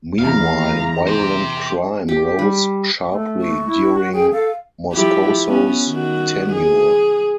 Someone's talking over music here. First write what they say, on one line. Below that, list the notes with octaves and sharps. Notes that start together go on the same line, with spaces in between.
Meanwhile, violent crime rose sharply during Moscoso's tenure.
E2 F5 A#5
G4 C5
G4
G3
A3
C#6
E4
F#4
G#4 G5
A4 F5
F3 E4 G4
B3 C#4
D#3 F#4
G#4